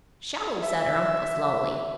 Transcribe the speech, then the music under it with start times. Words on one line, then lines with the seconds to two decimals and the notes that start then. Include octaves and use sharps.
"Sho!" said her uncle, slowly.
0.62 E5